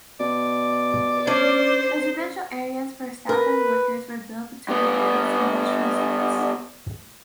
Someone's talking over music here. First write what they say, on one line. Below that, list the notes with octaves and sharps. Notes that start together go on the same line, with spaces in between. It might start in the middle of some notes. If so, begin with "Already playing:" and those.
Residential areas for staff and workers were built between the various industrial sites.
B2 D5
C#4 D4 C5
A#4 B4
G2 B3